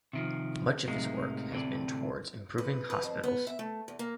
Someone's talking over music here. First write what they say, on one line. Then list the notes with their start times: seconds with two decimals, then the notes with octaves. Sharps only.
Much of his work has been towards improving hospitals.
0.13 C3 D#3 F3
0.88 A2 C3 G#3 A#3 D#4
1.52 D2 A2 C3 C4 D5
2.58 B4
2.90 B4
3.03 F2
3.23 B3
3.47 E5
3.59 A3
3.88 E2
3.99 A#3